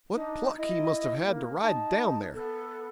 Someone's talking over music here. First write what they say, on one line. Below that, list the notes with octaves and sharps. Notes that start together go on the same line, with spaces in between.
What pluck he must have had to ride down there!'
D4 D#4
E4 D#5
A#3
D#4 A5
B3 A4